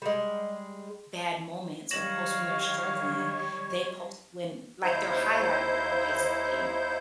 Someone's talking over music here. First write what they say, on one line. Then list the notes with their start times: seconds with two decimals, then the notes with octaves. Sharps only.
bad moments or post when they're struggling, they post when like their highlight reel basically.
0.02 G3 G#3
1.91 D#3 F#3 G3 C#5 F5 A#6 E7 F#7
4.83 D#2 D#4 E4 C5 G6